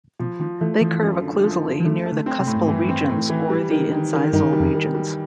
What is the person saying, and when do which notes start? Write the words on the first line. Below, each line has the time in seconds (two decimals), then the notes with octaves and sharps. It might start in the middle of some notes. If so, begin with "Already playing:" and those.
They curve occlusally near the cuspal regions or the incisal regions.
0.19 B2 F3
0.40 D#3 F3
0.61 E3 A3
0.81 E3 F3
1.02 F#2
1.23 D3
1.43 F3
1.64 F#2
1.80 E3
1.85 D#3 A3
2.06 A3
2.12 D3
2.26 C4
2.40 C3
2.47 A2
2.56 G#2
2.68 G2 E3
2.89 C4
3.09 A2
3.30 E3
3.50 G3
3.71 D#3
3.92 D#3
4.13 D#3
4.33 G2 D#3
4.53 G3
4.60 F2
4.75 D#3
4.95 G3